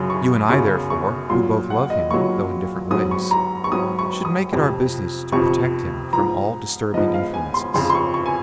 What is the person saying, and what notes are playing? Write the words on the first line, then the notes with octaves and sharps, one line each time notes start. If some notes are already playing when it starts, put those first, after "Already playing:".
You and I, therefore, who both love him, though in different ways, should make it our business to protect him from all disturbing influences.
Already playing: F#2 C#3 F#3 C6
C#6
F#2 C#3 F#3 C#6
C#6
A#2 F#3 C6
F#5
D#5
A#2 F#3 C#6
G#2 F#3 D#6
C#6
A#5
C#6
G#2 F#3 D#6
C#6
D#6
F2 C3 F3
F2 C3 F3 C#6
G#2 F3 A#5
G#2 F3 D#5
F5
G#5
C6
F2 C#3 F3 C6
C6
C#6
C#6
G#5